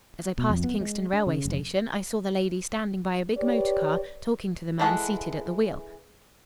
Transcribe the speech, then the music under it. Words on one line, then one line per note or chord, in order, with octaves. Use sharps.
As I passed Kingston railway station, I saw the lady standing by a big motor-car, talking to the man seated at the wheel.
B2
F2
B3
G#3
D4
C#3
F1
G4 B4 C#5 D5
E3 G#3 A4 F#5 B5